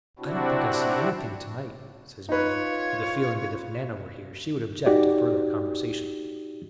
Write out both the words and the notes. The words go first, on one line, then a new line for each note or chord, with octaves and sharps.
"I don't think I see anything to-night," says Wendy, with a feeling that if Nana were here she would object to further conversation.
C3 C4 D4 E4 F#4
D#4 F4 B4 C#5
D#4 F#4 G4 D5